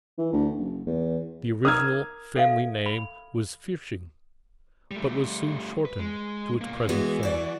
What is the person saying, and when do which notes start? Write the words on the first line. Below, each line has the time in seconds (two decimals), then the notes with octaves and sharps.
The original family name was Pfirsching, but was soon shortened to its present form.
0.18 E3
0.33 D2
0.58 F#1
0.87 E2
1.65 A#4 A#5 D#6 F6 G#6
2.36 A4 E5 F5
2.86 B5
4.91 G3 A3
5.85 B4
5.99 G#3
6.61 B2 A#3
6.89 E3 G#3 B3 F#4
7.23 F#4 D5